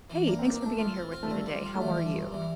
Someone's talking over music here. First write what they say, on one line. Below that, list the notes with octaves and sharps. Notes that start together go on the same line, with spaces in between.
Hey. Thanks for being here with me today. How are you?
E3
A#3 D4
C4
D4
A#3
A3 D4
F4
C4
F4
A3
G3 C4
G3
F4
A3
E3 G3
G3
F3
G2
E3 G3